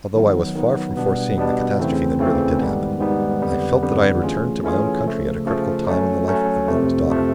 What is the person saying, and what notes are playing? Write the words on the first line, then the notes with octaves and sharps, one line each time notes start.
Although I was far from foreseeing the catastrophe that really did happen, I felt that I had returned to my own country at a critical time in the life of the miller's daughter.
D#3 F#3 B3
D#3 F#3 B3
B2 G3 B3 D4
B2 G3 B3 D4
E2 C#3 E3 A3 C4
E2 C#3 E3 A3 C4
G#2 D#3 G3 B3
G#2 D#3 G3 B3
F2 D3 G3 B3
F2 D3 G3 B3
E3 A3 C#4 F4 G#4
E3 A3 C#4 F4 G#4
C#3 F3 A3
C#3 F3 A3
F#3 A3 C#4
F#3 A3 C#4
F2 C3 F3 A3
C3 F3 A3